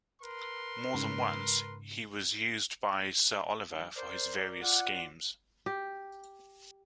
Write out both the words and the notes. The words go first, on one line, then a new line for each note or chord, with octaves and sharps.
More than once, he was used by Sir Oliver for his various schemes.
A#4 B4 C6
G#2 C#3
G2 D#3 F3
A#4 C5 D5
F4 D5 F#5
G4